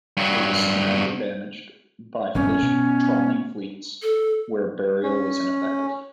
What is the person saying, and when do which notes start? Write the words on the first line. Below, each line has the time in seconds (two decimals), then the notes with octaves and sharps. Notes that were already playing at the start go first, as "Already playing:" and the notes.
It was snagged and damaged by fish trawling fleets where burial was ineffective.
0.17 G2 F#3
2.35 E1 G2 C4 C#4
2.62 B2
4.03 A4
5.03 C#4